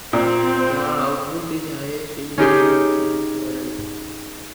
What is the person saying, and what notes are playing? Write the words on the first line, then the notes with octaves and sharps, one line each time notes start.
The output is highest in the near infrared.
A#2 C4
C#4 D#4 G4 G#4